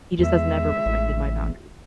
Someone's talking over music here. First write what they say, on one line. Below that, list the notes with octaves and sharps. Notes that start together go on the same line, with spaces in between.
he just has never respected my boundaries.
E2 G#3 E5
A1